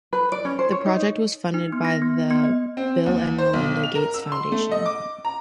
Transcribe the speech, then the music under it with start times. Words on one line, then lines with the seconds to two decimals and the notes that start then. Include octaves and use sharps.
The project was funded by the Bill and Melinda Gates Foundation.
0.13 B4
0.32 D5
0.45 C#4
0.59 C5
0.72 C#5
0.86 D#4
1.54 D#4
1.72 B3
1.85 A#6
2.02 B3
2.31 B3
2.44 D#5
2.77 C4
3.06 D#2
3.38 C5
3.53 B1
3.84 F7
3.95 A#4
4.14 E6
4.32 C6
4.52 A3
4.71 D#5
4.86 D6
5.25 A#5